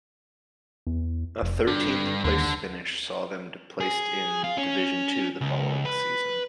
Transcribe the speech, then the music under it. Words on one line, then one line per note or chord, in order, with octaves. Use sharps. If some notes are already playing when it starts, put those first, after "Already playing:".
A thirteenth-place finish saw them placed in Division Two the following season.
E2
F1
G2 D3
D#2 D3
G#4
F4
C#4
C#2
B4